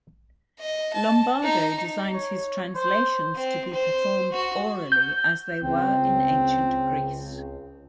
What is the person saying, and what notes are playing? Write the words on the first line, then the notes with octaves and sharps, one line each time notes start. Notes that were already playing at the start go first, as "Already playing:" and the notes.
Lombardo designs his translations to be performed orally, as they were in ancient Greece.
D#5
A5
D#4
C#5
C5
C4
C5
F#4
G6
C#2 C4